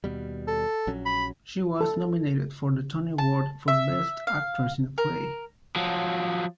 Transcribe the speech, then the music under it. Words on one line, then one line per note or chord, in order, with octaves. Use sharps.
She was nominated for the Tony Award for Best Actress in a Play.
D#2 B2 G3
A4
A#1 F#3 C#4
B5
A4
A5
E5
F5
A#4
F3 F#3